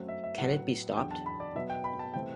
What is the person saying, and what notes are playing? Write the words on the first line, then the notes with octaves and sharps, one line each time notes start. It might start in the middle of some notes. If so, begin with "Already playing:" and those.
Can it Be Stopped?
Already playing: F#2 F#3 A3 C4
E5
E5
A2 F#3 B3 F#5
E2 D3 F#3 G5
A5
B5
D5
B2 F#3 B3 E5
G5
B5
A5
C3 E3 A3 C4 G5